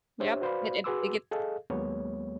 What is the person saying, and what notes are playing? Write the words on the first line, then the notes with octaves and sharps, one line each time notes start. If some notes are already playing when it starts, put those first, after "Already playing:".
Yep, it it it gets
D4 G4 C5 C#5 E5
F#4 B4 C5 D5 F5 B5
F#4 G#4 B4 C6 D6 E6
G#4 A4 D#5 F5
D#2 F#3 G#3 A#3 B3 C#5